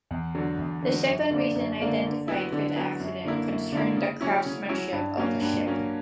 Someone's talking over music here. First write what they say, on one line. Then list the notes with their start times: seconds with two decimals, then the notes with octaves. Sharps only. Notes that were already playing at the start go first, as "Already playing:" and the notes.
The second reason identified for the accident concerned the craftsmanship of the ship.
0.11 E2
0.35 D3 F#3
0.59 E2
0.82 D3 F#3
1.07 F#2
1.31 D3 A#3 D4
1.55 F#2
1.79 D3 A#3 D4
2.03 D3
2.28 F#3 B3 E4
2.52 D3
2.76 F#3 B3 E4
3.00 F#2
3.25 D3 A#3 E4
3.48 F#2
3.72 D3 A#3 E4
3.96 C#3
4.21 F#3 C#4 E4
4.45 C#3
4.69 F#3 C#4 E4
4.93 G2
5.17 F#3 A#3 C#4
5.42 G2
5.66 F#3 A#3 C#4